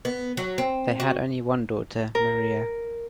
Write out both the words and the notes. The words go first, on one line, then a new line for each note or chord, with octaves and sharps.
They had only one daughter, Maria.
B3
F#3
C4
F#4
A#4